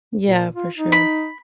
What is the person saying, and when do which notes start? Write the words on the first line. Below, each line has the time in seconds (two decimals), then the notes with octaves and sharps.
Yeah, for sure.
0.24 A#2
0.55 F4
0.77 D#4
0.92 B5